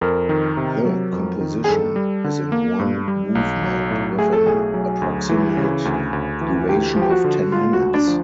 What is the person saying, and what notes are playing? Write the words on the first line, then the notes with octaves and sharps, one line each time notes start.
The composition is in one movement, with an approximate duration of ten minutes.
F2 A#4
D#3
C3
F#3
F2
D#3
G#4
G2 A4
G3
D3
A#3
G2
G3
B1
F#3
A2
A3 G#4
A4
B1 G#4
F#3
D2
E3
C#3
D2
D2
E3
D2 G4
F3
G4
F#4
D3
G#3 F4
F#4
D2
D4
F3